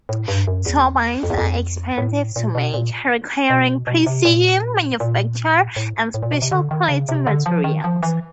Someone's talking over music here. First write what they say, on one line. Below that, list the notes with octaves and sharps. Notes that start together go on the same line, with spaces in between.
Turbines are expensive to make, requiring precision manufacture and special quality materials.
A2
G2
F#2
E2
F2
E2
F2
A2
A#2
B2
A#2
B2
B2
C3
A#2
A#2
A2
A2
A#2
B2
C3
D3
D#3
C#3
C3
D3
F3
D#3
F3
E3